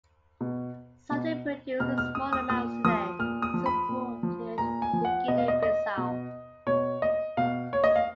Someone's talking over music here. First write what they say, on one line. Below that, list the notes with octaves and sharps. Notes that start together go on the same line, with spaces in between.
Salt is produced in small amounts today, it is exported to Guinea-Bissau.
B2
B2
B2 F6
F6
D#6
D#6
A#2 D#6
F3 D#6
A#2 F6
D#6
F3
B5
A#2
F3
A#2 A#5
G#5
F3
F#5
B2 D#5
F5
D#5
D#5
B2
B2 C#5
D#5
B2 F5
C#5
D#5
F5